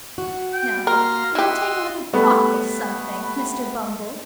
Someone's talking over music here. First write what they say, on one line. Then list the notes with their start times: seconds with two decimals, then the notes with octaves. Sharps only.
Now, will you take a little drop of somethink, Mr. Bumble?'
0.18 F#4
0.53 G5
0.87 A#3 A#4 F5 C6 A#6
1.35 E4 G4 D#5 F#5 C6 E6
2.13 G3 A3 B3